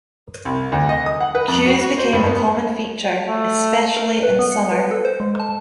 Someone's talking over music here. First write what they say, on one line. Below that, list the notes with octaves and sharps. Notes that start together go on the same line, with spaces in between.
Queues became a common feature, especially in summer.
C2
D2
D#5
D#6
F#5
B4
F2
F#4
F#4
C5
G2
B3
A3
A#4
B4
B3
C#7
B4
A4
C5
G#3
A5